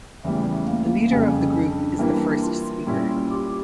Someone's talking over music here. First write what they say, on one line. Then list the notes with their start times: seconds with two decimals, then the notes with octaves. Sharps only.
The leader of the group is the First Speaker.
0.24 E2 C#3 E3 G3 A3
0.68 A#3
1.11 F2 C#3 G3 C#4
1.55 D4
1.99 E3 G3 A#3
2.43 F4
2.87 A#2 G3 C#4 E4
3.31 G4